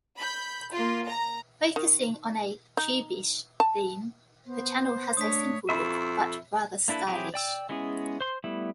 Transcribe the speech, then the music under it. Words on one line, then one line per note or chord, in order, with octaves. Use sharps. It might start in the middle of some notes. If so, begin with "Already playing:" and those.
Focusing on a "cube-ish" theme, the channel has a simple look, but rather stylish.
B5 G6
A#3 F4
A#5
D#3
D#4
A5
B3 C5
A3 D4 C#5 D#6 B6
F2 E5 B5
A#3 D4 E4 A4 B4
F#3 C4 E4 G4 G#4
D5 G5 E6
G#3 B3 C#4 E4 G#4
C5 C6
G3 A3 B3 E4